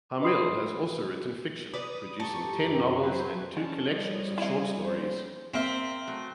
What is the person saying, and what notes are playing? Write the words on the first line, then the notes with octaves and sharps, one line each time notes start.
Hamill has also written fiction, producing ten novels and two collections of short stories.
B4 D#5 B5 C6 D#6 C7
B4 D5 D#6
G4 A4 A#5 C#6
F#2
F#3 B4 C5
G#3 C#4 D5 A5
F3 G3 C#5 D#5
C4 E4 D#5 F5 G#5
B3 C#4 C5
A#3 C4 C5 E5
F#3 A3